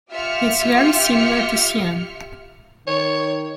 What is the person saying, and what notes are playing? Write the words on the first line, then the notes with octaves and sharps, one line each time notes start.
It is very similar to cyan.
F4 G4 E5 F6 C#7
D#3 C#5